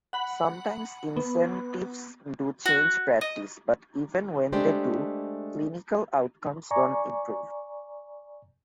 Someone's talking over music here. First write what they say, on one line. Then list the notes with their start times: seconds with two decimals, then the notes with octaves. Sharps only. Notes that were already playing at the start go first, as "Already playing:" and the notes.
Sometimes incentives do change practice, but even when they do, clinical outcomes don't improve.
0.13 F#5 B5 F#7
1.17 B3
2.66 F#4
3.21 D#5
4.53 G#3 A3 D4 G4 C5
6.71 D5 G#5 A#5 C#6